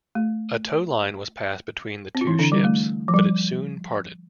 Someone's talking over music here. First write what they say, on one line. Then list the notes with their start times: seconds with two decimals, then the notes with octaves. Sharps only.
A towline was passed between the two ships, but it soon parted.
0.15 A3
2.15 C4
2.21 F4
2.27 E3 E4
2.39 D3 D4
2.52 G3
2.64 A3
3.08 F3
3.14 G3